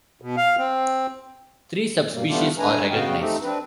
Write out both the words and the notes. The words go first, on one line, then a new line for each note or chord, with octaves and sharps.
Three subspecies are recognized.
B2
F5
C4
G2 B2 G3 A#3
G3 A3 B3 D4 F4 G4
D3 A3 D4 B4 G#5 A#5
C#3 B3 F#4 D#5 F5 G5
A3 C4 D#4 G4
C4 D4 B4